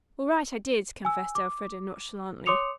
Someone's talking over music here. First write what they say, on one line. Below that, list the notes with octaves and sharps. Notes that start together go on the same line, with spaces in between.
"All right, I did," confessed Elfreda nonchalantly.
G#5 E6
D6
C#5 C6 D6 D#6 C#7 F7